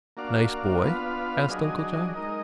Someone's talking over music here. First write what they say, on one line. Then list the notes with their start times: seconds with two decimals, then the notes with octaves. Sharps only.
"Nice boy?" asked Uncle John.
0.17 A#3 D4 F#4 D5 F5
0.83 B3 D4 F4 B4 F5
1.49 F#3 D4 G#4 D#5
2.14 G#3 D#4 A#4 D#5